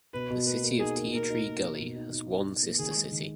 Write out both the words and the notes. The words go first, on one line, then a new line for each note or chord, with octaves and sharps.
The City of Tea Tree Gully, has one sister city.
B2 B4
B2
A#3 B4
A#3
D#4 G#4
A#3
D#4 A#4
D#4
A#3
A#3
B2
D#4
D#4
D#4
D#4
A#3
D#3 G#4
G#3
D#3